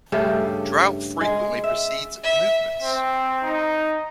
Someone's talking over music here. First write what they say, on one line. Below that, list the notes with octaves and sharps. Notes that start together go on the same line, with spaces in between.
Drought frequently precedes movements.
G2 C#3 A3 G4
G#3
E5
E5
C4
D#4